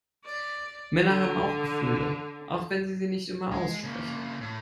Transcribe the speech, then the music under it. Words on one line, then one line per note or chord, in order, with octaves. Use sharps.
Männer haben auch Gefühle, auch wenn sie sie nicht immer aussprechen.
D5
D3
G#3
C#3 A#3
A2